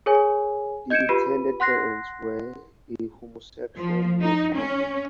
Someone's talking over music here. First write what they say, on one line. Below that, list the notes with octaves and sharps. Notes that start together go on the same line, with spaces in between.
The intended parents were a homosexual male couple.
G#4 A#4 C#5 G#5
D#5 G6 G#6 C#7 D7 E7
F4 G4 B4 B5 D#7
F#5 C6 F#6 A#6 C7
F3
D#4
C#4